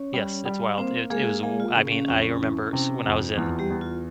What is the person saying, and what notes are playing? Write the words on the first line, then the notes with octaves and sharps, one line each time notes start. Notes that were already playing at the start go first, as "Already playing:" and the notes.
Yes. It's wild. It it was w I mean, I remember s when I was in,
Already playing: C#4 C#5
G3
G3
A#3 C4 C5
G#3 A#3 G#4
G#3 A#3 G#4
F4
C#3 C#4
C#4
F2 C#4
E3
C3
F2
E2 F4
G3 G4
E2
F4